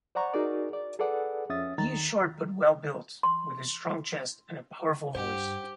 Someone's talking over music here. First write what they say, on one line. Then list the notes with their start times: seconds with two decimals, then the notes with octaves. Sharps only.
He is short but well built, with a strong chest and a powerful voice.
0.15 C5 D5 F#5 A#5 C#6
0.34 D#4 F#4 G#4 A#4 D5
0.73 D5
0.99 G#4 A4 B4 D5 F#5
1.49 F2 C#4 E5 D#6 A6
1.78 D#2 D#3 A#5 A6
3.23 C6
5.15 G2 G4 C5 F#5 G5